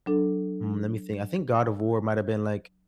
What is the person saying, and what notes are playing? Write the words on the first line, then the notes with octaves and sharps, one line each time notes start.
mm, lemme think I think God of War might have been, like
F#3 D4 A4